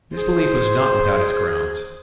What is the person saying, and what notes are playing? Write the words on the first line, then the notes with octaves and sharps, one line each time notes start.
This belief was not without its grounds.
G#4 C5